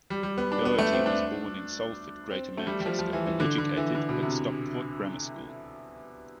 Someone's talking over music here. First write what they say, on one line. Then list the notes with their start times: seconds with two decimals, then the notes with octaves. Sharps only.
Dougherty was born in Salford, Greater Manchester and educated at Stockport Grammar School.
0.10 G3
0.23 G3
0.38 B3
0.52 D4
0.65 B3
0.78 A3
0.93 C4
1.06 D4
2.31 C4
2.57 A3
2.67 G3
2.80 G3
2.86 F3
2.99 F3
3.13 E3
3.26 E3
3.40 D3
3.58 D3
3.77 E3
3.95 D3
4.09 B2
4.23 C3